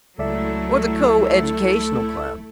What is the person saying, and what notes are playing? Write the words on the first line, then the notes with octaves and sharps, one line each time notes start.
Or the Co-educational Club?
C#2 F#3 A3 E4 A4 D5 E5